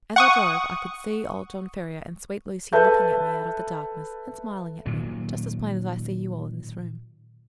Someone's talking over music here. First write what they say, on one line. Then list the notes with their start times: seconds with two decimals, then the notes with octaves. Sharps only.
As I drove, I could see old John Ferrier and sweet Lucy looking at me out of the darkness and smiling at me, just as plain as I see you all in this room.
0.16 F#5 C#6 D#6
2.73 A4 B4 E5 A5 G6
4.86 A#2 D#3 F#3